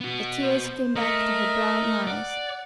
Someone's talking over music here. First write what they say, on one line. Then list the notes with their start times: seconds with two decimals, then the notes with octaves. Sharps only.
The tears came back to her brown eyes.
0.01 B3 F#4
0.42 C5
0.96 A3 A#4 D#5
2.07 D5 F#5